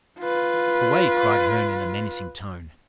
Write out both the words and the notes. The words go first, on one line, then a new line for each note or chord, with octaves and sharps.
"Away!" cried Herne in a menacing tone.
F4 B4